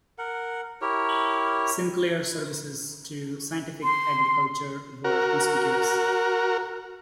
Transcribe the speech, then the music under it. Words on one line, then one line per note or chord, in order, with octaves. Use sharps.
Sinclair's services to scientific agriculture were conspicuous.
A#4 F#5
E4 G4 A#4 C#5
C6
F#4 A#4